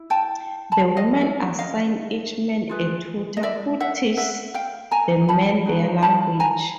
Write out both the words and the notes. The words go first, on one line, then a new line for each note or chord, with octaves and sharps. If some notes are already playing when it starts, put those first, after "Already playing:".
The women assign each man a tutor who teaches the men their language.
Already playing: E4
G5 A5
A5 B5
D#5 F5
D5 E5
D#5 F5
F4 G#4 B4
D#5
D5 E5
E5 F#5
E5 F#5
F5 G5
G#5 A#5
A5 B5
D#4 F#4
A5 B5
G#5 A#5